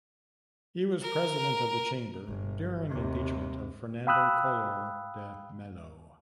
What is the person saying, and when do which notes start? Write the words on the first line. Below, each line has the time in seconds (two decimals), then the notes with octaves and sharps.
He was president of the chamber during the impeachment of Fernando Collor de Mello.
1.01 A#4
2.26 G1
2.89 D#2 C3
4.07 F5 G5 B5 D#6 E6 F#6